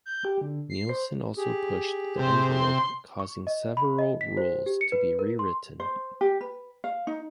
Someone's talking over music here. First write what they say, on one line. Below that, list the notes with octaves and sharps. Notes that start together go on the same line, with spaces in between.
Neilson also pushed the envelope causing several rules to be rewritten.
G6
G4
D3
C7
C5
G4 G#4
C3 C5
C6
C#6
D#5
B5
D#5
B6
C5
G4
C#7
B4
A#4
C6
C5
G4
B4
F5
D#4